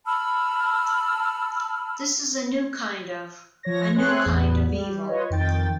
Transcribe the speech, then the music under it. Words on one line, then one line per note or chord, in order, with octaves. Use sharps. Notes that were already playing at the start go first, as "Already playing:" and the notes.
This is a new kind of -- a new kind of evil.
A5 B5 E6 F6
F3 C#5 A#6
A3 C4 G#4 C#5 C6 F#6
A1 E2 B3
G3
F4 B4 C#5 D#5
F2 D#3 G5 A6